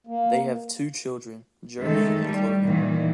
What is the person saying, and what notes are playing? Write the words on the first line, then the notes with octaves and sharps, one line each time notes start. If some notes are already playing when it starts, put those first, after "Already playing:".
They have two children: Jeremy and Chloe.
A#3
D#3 G#3 A3 A4
G3
A#2 D#3 E3